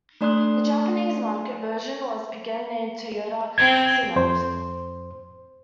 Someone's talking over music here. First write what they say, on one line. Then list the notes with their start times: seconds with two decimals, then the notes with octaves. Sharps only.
The Japanese market version was again named "Toyota Cynos".
0.21 A3 D4 D5 C6 D#6 F#6
3.58 C4 G#6
4.16 F2 C5